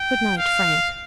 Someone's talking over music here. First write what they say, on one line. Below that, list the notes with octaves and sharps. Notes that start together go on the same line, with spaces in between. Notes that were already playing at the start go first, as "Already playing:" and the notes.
"Good night, Frank."
Already playing: G5
F5